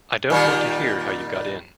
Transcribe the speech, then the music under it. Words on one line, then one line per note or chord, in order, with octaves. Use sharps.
I don't want to hear how you got in.
A#2 D#3 G3